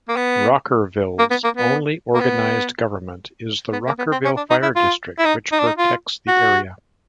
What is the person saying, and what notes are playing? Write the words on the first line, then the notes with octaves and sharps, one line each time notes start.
Rockerville's only organized government is the Rockerville Fire District, which protects the area.
A#3
B3
A#3
B3
A#3
B3
A#3
B3
B3
A#3
B3
C4
C#4
D4
D#4
E4
F4
E4
D#4
D#4
D4
D#4
F4
F#4